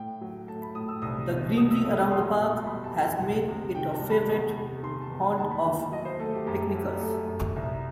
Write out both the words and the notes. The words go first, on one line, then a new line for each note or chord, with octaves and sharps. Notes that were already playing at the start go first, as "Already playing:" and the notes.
The greenery around the park has made it a favorite haunt of picnickers.
Already playing: A2 G5
F#3
A3 A5
B5
A2 D#6
E6
C2 D#6
B2
F#3 D#6
E6
A3 D#6
D#6
E2 C6
B2
G3 B5
A5
E2
G5
C2 F#5
C3
D#3 G5
A5
G3
B5
E2 D#5
C3
D#3 C6
A5
E2
D#2 A5
B5
D#3 B5
A5
F#3 D#5
C5
A3 A4
G4
F#2 G4
A4
F#3 G4
G4
A3 A4
F#2
C2 E5